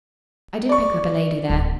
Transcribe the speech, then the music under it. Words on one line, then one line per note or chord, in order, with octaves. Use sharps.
I did pick up a lady there.
D5 C#6
D1